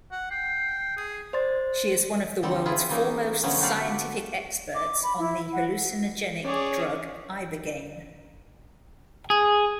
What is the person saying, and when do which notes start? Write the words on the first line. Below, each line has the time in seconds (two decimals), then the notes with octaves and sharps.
She is one of the world's foremost scientific experts on the hallucinogenic drug ibogaine.
0.12 F#5
0.31 G5 C7
0.97 G#4
1.33 C5 D5 C6 A6
2.43 D3 G3 C4 A4
2.66 E4 F4 G#4
2.90 E3 A#3 C#4 D#4
3.43 D3 F3 F#3 A3 B3 C#4
3.60 F#4 G4 A4 B4 D5 F5
4.75 D6
5.03 B5
5.19 E4
5.53 F#5
6.44 C#4 G#4 C#5 D5 D6
9.30 G#4